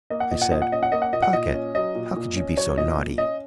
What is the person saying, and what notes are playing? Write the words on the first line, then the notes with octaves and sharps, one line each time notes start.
I said, "Pocket, how could you be so naughty?"
A#3 D#5
F#5
A#2 D#5
F#5
A#2 D#5
F#5
C#4 D#5
F#5
A#3 D#5
F#5
A#2 D#5
F#5
A#2 D#5
C#4
F#3 D#5
A#2
A#2
C#4
F#3 C#5
A#2 D#5
A#2
C#4 D#5